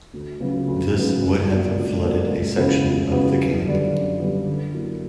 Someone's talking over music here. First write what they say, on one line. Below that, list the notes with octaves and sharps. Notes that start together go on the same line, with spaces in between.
This would have flooded a section of the camp.
D2
C#3 F#3 B3 F#4
D2
C#3 F#3 B3 F#4
C#2
B2 A#3 D4 F#4
C#2
B2 A#3 D4 F#4
C#2
C#3 E3 B3 F#4
C#2
C#3 E3 B3 F#4
F#2
D3 G3 B3 D4
F#2
D3 G3 B3 D4
D3
F#3 A#3 E4